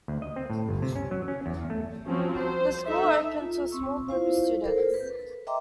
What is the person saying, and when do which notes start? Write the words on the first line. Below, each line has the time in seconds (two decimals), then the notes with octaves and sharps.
The school opened to a small group of students.
0.08 D2
0.22 D#5
0.36 C4
0.50 A2
0.69 G1
0.82 C3
0.96 C#4
1.11 F#3
1.28 C#4
1.46 E2
1.70 A3
2.06 F3 F#3 C4 C#4
2.36 C5
2.86 D#4 A4 E5
3.40 F4
3.71 C4 C#6 E6
4.09 E4 F4 C5 F5
4.64 A4 A#4 C5
4.94 B4
5.47 D#5 E5 G5 A#5 C6 D6